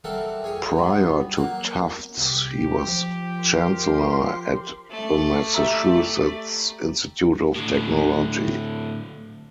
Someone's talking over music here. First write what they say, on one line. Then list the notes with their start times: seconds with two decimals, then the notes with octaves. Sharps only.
Prior to Tufts, he was chancellor at the Massachusetts Institute of Technology.
0.04 G3 C4 A4 A#4 E5 F#5
0.42 F2 G#4 C#5
0.75 G2 F#3 B3
1.37 F#3 A#3 F#4 F#5
2.17 C2 G4
2.88 F3
3.41 A#4 C6
4.90 A3 D5
5.54 G4 E5 A#5
7.56 A2 D3